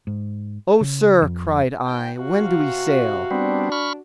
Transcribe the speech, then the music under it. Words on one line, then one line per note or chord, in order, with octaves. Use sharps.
"Oh, sir," cried I, "when do we sail?"
G#2
C#3
F2
G#2 G5
C3 F#4 F5
G3 B3 C4 D4
B5 C#6 F6